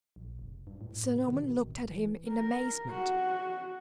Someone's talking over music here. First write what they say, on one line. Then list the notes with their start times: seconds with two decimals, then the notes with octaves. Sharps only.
Sir Norman looked at him in amazement.
0.16 A#1
0.39 F1
0.67 G2
0.81 A2
1.15 C3
1.27 D#3
1.42 B2
1.57 A1
1.68 G#1
1.90 E3
2.28 A#4
2.90 F#4